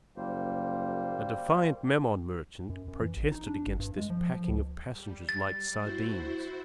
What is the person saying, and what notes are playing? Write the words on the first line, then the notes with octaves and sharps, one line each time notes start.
A defiant Memon merchant protested against this packing of passengers like sardines.
F#1 G3 A#3 C5
F#2
F#2
E3
A1
D#4
D4
G#1
G2
G#3
F3
F3
C#2
G3
A6
E4 F#4 C5